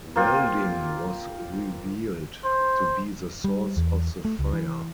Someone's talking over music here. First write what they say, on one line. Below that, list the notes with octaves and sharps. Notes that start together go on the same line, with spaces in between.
Welding was revealed to be the source of the fire.
A#3 C4 F4 G5
C5
G3
E2
A3
C#2
E3